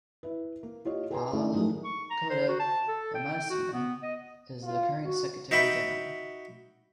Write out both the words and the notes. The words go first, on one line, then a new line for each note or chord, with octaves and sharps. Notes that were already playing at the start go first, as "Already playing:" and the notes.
Paolo Cotta-Ramusino is the current Secretary General.
E4 B4
A#3
F4 G4 C#5 D#5
G#4 B4 G5 G#5 A#5 C6
A3 C#4 D4 E4 G#4 A4
A2 D#3 F3 F#3 G#3 A3
C#6
A#5
C5
F#4
A5
A4
G5
G5
F#4
B3
D#5
F4
F#4
D#4 F#4 E5 G5 B5